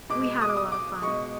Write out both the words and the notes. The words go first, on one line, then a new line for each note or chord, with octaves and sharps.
We had a lot of fun.
B2 G#3 D6
D#6
D6
D#6
D6
B2 G#3 C#6